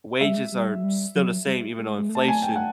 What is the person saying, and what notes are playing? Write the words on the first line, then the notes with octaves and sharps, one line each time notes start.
wages are still the same even though inflation
G#3 E5
G3
G#3
G3
F#3
G3
F#3
G3
G#3
G#3
A3
A5
G#5
G5
F#5